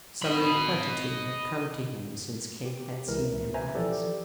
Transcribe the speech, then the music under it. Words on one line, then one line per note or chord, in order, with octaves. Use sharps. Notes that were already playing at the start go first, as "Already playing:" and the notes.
Some new plenitude had come to him since Kate had seen him last.
D#5 B5
G4
C#2 E3 A#4
B4 C5 E5 G#5 A#5
E3 F3 G4 A4 D5